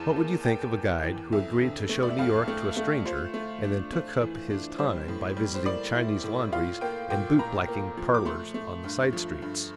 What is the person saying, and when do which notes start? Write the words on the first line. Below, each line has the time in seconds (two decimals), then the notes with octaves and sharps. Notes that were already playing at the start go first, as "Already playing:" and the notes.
What would you think of a guide who agreed to show New York to a stranger and then took up his time by visiting Chinese laundries and boot-blacking "parlors" on the side streets?
Already playing: E2 E3 A5
0.16 A#3
0.45 A#3 G5
0.74 A#3
1.03 E3
1.32 F2 E5
1.61 D3
1.89 A3
2.03 D5
2.10 E5
2.18 F2 F5
2.48 A3
2.77 A3
3.05 F4 C5
3.34 A3
3.63 D4
3.93 A3 C5
4.22 E3
4.50 D4
4.78 G3 C5
5.08 A2
5.37 G3
5.54 C5
5.66 A#3 D5
5.95 E4
6.24 A2
6.53 F4 F5
6.81 A#3 G5
7.10 A#2 G5
7.39 A#3 A#5
7.68 A#3
7.97 F3
8.14 D6
8.25 A3 C6
8.54 A3
8.84 G2
9.13 F3
9.42 G2